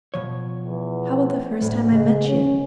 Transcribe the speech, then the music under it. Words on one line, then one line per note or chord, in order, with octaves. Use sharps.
How about the first time I met you?
B2 F3 C#5
E2
D2 A2
C#3 G#3
C#4